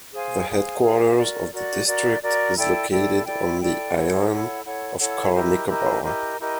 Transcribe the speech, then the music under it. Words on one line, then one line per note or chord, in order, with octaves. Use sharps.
The headquarters of the district is located on the island of Car Nicobar.
G#4 C5 F5 G#5
G#4 C5 F5 G#5
G#4 C5 F5 G#5
F#4 A#4 D5
F#4 A#4 D5
F#4 A#4 D5
F#4 A#4 D5
E4 A4 D5 G5
E4 A4 D5 G5
E4 A4 D5 G5
E4 A4 D5 G5
E4 A4 C#5 F#5
E4 A4 C#5 F#5
E4 A4 C#5 F#5
E4 A4 C#5 F#5
E4 G4 A#4 D#5
E4 G4 A#4 D#5
E4 G4 A#4 D#5
E4 G4 A#4 D#5